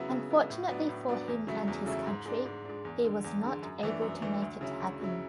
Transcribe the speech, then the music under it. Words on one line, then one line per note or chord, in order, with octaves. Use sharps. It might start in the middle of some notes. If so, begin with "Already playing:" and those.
Unfortunately for him and his country, he was not able to make it happen.
Already playing: C#3 F#3 B3 E4
C#3
F#3 B3 E4
A2
F#3 B3 D4
A2
F#3 B3 D4
E2
C#3 F#3 A3 E4
E2
C#3 F#3 A3 E4
G#2
G#3 D4
G#2
G#3 D4
E2
D3 G#3
E2
D3 G#3
F#2
E3 A3 D4
F#2
E3 A3 D4
D2
C#3 F#3 C#4 E4
D2
C#3 F#3 C#4 E4